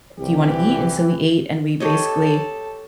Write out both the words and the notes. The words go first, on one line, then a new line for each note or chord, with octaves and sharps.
do you wanna eat?" And so we ate, and we basically
C2 E3 G4
G4 A4 C#5 D#5 A5